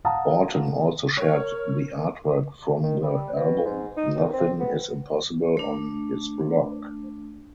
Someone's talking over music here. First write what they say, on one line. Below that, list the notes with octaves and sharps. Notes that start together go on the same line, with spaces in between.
Orton also shared the artwork from the album Nothing Is Impossible on his blog.
F5 F#5 A5 A#5 D#6
A#4 C#5
D#3
G3
B2
G#2
D#4
D#2
C4
B3
A3 D4